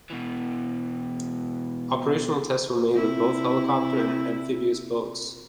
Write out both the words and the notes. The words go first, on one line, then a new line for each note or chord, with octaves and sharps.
Operational tests were made with both helicopter and amphibious boats.
B2 E3
C3 E4